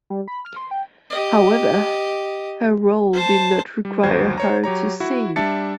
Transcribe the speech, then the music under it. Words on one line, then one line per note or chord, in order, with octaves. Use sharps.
However, her role did not require her to sing.
G3
B5
F6
C6
G5
G4 D#5
C5 A5
G3
G1 D#2 F#3 C5 G#6
C5 C#5 A#5
F#3 G4 C#5 A#5
E4 F#4
G3 D4 E5 A5 A6 C#7